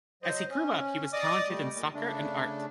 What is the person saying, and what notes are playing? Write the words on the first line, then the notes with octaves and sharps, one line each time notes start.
As he grew up he was talented in soccer and art.
F#3 C5 D#5
C#4
D5 D#5 D6 D#6
G3 A3
A#2
C#3 A3 D4